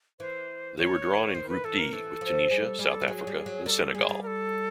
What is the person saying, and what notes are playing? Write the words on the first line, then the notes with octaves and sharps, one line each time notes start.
They were drawn in Group D with Tunisia, South Africa and Senegal.
E3 C5
D#3 C#5
D#3 C5
B4
E3 A4
A#4
E3 A4
F3
G3 G#4
A4
G3 G#4
A4
G3
F#3 G#4
G3
F#3
G3 A4 A#4
G3 G#4
G#3
G3
A#4
A4